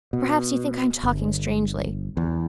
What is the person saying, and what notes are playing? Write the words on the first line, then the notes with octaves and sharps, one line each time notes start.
Perhaps you think I am talking strangely.
B2
G1
E2